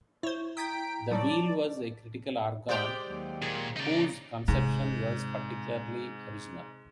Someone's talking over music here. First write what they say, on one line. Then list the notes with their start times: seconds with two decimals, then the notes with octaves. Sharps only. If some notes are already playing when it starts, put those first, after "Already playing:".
The wheel was a critical organ whose conception was particularly original.
0.23 E4 C5 C#5 C#6
0.57 G5 A#5 D#6 G6 G#6 B6 D7
1.11 F#3 G3 D#4 D5 A5
2.69 G#3 G4 C5 D5 G5
3.04 D#2 F#3
3.42 A#2 G#4
3.76 C#3 D#4 D5
4.48 G#2 C3